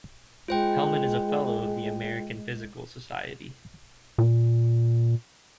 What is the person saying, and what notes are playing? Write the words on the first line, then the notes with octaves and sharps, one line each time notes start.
Hellman is a fellow of the American Physical Society.
G#3 F4 C5 G5
A#2